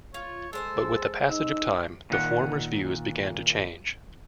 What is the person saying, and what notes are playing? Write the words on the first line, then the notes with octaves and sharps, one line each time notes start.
But, with the passage of time, the former's views began to change.
F4 C#5
G#3 A4 C5 G#5
D#4 E6
A#2 D#3 F#5